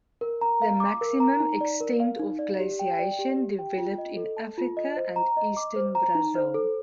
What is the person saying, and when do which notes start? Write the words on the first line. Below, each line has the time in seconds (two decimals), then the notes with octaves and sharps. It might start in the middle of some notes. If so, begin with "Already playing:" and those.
The maximum extent of glaciation developed in Africa and eastern Brazil.
0.21 A#4
0.41 A#5
0.62 F5
0.80 D6
1.01 A#4
1.20 A#5
1.40 D#4
1.61 D5
1.80 A#4
2.00 F5
2.19 D#4
2.39 D5
2.59 G4
2.79 G5
2.99 D5
3.19 G4
3.38 G4
3.59 G5
3.78 F4
3.98 D#5
4.17 A4
4.37 A5
4.58 F4
4.77 D#5
4.97 C5
5.16 A#5
5.37 D#5
5.57 D6
5.76 C5
5.95 A#5
6.15 D#4
6.35 C5
6.54 A4